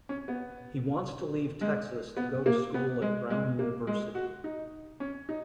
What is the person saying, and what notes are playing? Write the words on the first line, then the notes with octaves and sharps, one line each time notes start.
He wants to leave Texas to go to school at Brown University.
C#4
B3
G#3
B3
A#3
B3
G#3
G#3
A#3
G#3
F#4
D#4
C#4
D#4